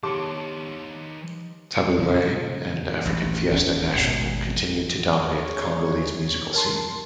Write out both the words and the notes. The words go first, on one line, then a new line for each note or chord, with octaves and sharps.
Tabu Ley and African Fiesta National continued to dominate the Congolese musical scene.
D#3 G4 C#5 A5 C6 D6
A#2 C#3
A1 A#2
D1 C#4
G#1 B2
D3 G#4 C#5
A#4 A5 C6